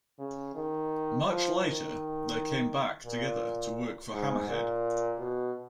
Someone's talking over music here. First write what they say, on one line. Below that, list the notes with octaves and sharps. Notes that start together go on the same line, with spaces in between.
Much later, they came back together to work for Hammerhead.
C#3
D#3
F3
D#3
A#2
G#2
A#2
B2